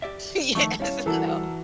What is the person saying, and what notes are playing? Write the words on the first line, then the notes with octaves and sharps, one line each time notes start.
Yes. No.
G4 D5 E5
D#3 F3 A3 C#6
G3 C#4 E4 C#5 F5 A5
E3 F#4 A4 A#4